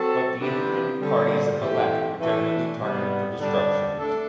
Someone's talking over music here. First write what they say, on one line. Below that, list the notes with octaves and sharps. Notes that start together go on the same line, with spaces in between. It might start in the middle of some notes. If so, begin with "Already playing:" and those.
But the independent parties of the left were generally targeted for destruction.
Already playing: F#3 C4 F#4 A4
C3 E3 B3 D4 G4
D3 G3 C4
E3 A3 C4 G4
E3 A3 D4
C3 G3 B3
D3 G3 D4
A3 D4 A4